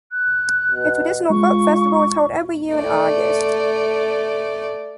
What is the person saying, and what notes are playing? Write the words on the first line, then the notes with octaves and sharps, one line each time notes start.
A traditional folk festival is held every year in August.
F#6
B2
G#3 F4 C#6
A3 D5